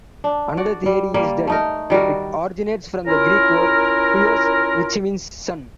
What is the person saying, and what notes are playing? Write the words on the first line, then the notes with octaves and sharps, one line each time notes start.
Another theory is that it originates from the Greek word "huios" which means "son".
D4
F#4 D5
G3
G3 A#3
A3 D#4 A#4
D#3 G3 F#4 A#4
C#4 E4 F4 A#4